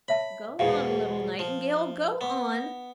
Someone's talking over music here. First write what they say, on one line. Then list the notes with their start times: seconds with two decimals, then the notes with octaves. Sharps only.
"Go on, little Nightingale, go on!"
0.08 C#5 E5 A5 B5
0.59 E2 G#2 B2 F5 G5
1.39 F3
1.76 G4
2.21 B3